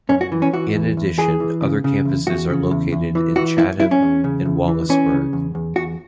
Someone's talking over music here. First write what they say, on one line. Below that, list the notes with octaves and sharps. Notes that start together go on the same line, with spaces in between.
In addition, other campuses are located in Chatham and Wallaceburg.
F#2 C#4
F#4
E3
C#4
E3 F#4
E2
E2
E3 G#4
E3
C#3
C#3
E2
E2 F#4
C#3
E2
E2
E3
E3 F#4
F#2 E4
F#2 E4
C#4
E2
C#3
E2
E3
E3 C#4
C#3
E2
E2
E2 F#4